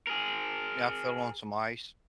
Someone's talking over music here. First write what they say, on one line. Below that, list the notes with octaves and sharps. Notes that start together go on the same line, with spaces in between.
I fell on some ice,
G#4 A#4